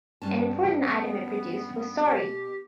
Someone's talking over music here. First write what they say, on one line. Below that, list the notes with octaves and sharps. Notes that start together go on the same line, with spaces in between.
An important item it produced was sari.
G2 C#4 A5
B3
B2 G4